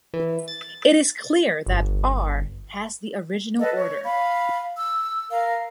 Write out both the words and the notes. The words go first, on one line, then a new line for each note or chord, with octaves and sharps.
It is clear that "R" has the original order.
E3
A6
G1
A4 B4 D#5
C#5
F5 B5
E6
A#4 F5